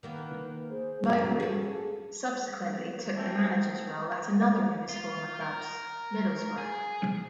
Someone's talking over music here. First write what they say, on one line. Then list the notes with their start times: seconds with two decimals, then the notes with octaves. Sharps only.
Mowbray subsequently took the manager's role at another of his former clubs, Middlesbrough.
0.03 D#3 A#3 B3 B4
0.68 G#4 C5
1.05 G2 C3 F#3
1.19 C#4 F#4
1.40 G#4 A4
3.15 E3 A3 C4
4.89 F4
5.40 A#4
6.58 G#4